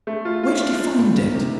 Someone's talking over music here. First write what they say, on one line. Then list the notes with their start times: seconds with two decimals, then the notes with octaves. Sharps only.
Where did he find it?
0.07 A3
0.25 F4
0.43 F4
0.62 D4
0.80 F4
0.98 A2
1.18 D#3
1.35 C3